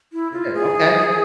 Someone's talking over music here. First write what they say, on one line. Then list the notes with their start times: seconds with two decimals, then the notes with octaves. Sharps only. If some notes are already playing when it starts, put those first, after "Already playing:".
Yeah. Okay.
0.13 E4
0.32 F4
0.54 G#4